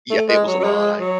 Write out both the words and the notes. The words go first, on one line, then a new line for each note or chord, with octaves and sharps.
Yeah, it was a lot. I
A3
G#3
F#3
F#3
G#3
F#3